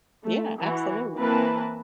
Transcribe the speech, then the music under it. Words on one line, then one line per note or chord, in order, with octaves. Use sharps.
Yeah, absolutely.
A3
E3 F#4
E3 A#3 C4 A#4 B4 A5